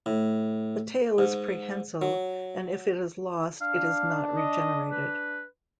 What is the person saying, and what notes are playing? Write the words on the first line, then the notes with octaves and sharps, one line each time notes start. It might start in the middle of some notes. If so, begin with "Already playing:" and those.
The tail is prehensile and if it is lost, it is not regenerated.
A2
G#2
F#3
D4 F5
D#5
B4